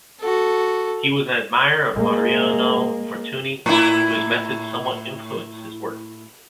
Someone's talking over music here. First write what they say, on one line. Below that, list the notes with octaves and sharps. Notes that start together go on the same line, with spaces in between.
He was an admirer of Mariano Fortuny, whose methods somewhat influenced his work.
F#4 A4
G#3 A#3
A2 E4